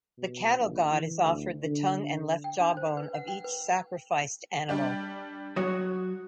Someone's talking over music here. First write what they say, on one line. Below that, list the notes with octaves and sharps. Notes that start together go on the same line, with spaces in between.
The cattle god is offered the tongue and left jawbone of each sacrificed animal.
B2
A#1
E3
D2
D3
G5
D4
C5
B4
F#5
G5
B4
G3 D4 G4
F#3 F#4 C#5 D#6 F#6